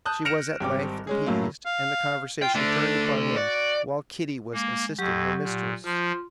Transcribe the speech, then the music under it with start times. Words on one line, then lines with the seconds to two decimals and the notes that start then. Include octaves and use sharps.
She was at length appeased, and the conversation turned upon him while Kitty was assisting her mistress.
0.05 A5 D#6 F#6 G6
0.25 F6 A#6 C#7 D7 E7 F7
0.61 G#1 G3 G5 D6
1.07 G#3 C#4 G#4
1.26 F#2 A2 F#3 A#3
1.66 F5
2.42 F4 G5
2.55 D3 A3 D4
3.37 F#4 D5
4.53 G#3 A#3
4.99 F2 F#3 G4 C#6
5.43 A#2
5.84 F3 F4 C6